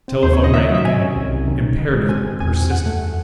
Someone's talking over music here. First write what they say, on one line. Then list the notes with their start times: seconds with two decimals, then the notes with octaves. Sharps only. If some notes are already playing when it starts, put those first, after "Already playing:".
The telephone rang again--imperatively, persistently.
0.08 C4
0.23 D#2 C5
0.33 C#5
0.38 C#3
0.44 D#5
0.54 D#3 E5
0.65 D#5
0.70 F#3 E5
0.85 C3 G#5
1.00 C#4
1.16 C2
1.32 C2
1.47 D#3
1.63 D#3
1.78 D#3
1.93 G#3
2.08 C4 G#5
2.24 C4
2.40 E2 G#5
2.55 E2
2.70 F#2 F#5
2.86 A3